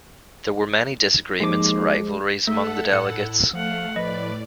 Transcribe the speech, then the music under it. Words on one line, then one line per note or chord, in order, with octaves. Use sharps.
There were many disagreements and rivalries among the delegates.
D#2 F3 G#3 D6
A3 A4 E5 F#5
A2 E4 F#6 C#7
F3 A3 F5 F#5
A2 F3 B4 D5 D#5